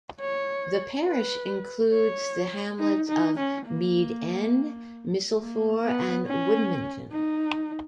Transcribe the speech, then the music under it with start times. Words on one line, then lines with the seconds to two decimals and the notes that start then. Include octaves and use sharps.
The parish includes the hamlets of Mead End, Misselfore and Woodminton.
0.20 C#5
1.07 B4
1.93 C#5
2.79 D#4
3.09 D#4
3.38 C#4
3.66 A#3
5.39 A#3
5.82 B3
6.26 C#4
7.12 D#4